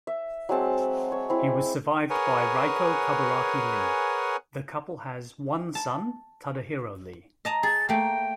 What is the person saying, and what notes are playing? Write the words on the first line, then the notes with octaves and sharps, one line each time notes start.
He was survived by Reiko Kaburaki Lee; the couple has one son, Tadahiro Lee.
E5
F#3 G#3 C4 A5
C#5
C4 E4
G#4 A#4 B4 C#5 F#5 G#5
A5
D#5 A5 A#5
G#4 A6
A3 A#3 G5